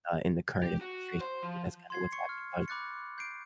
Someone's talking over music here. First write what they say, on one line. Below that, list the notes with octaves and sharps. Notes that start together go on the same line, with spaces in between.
uh, in the current administration, I think that's kind of what's happening, but,
G4
F#4
C5
F3
C6 G#6 C7
C#6 C#7
F6
B5 D6 F#6 A6 C#7
G6 C7 D7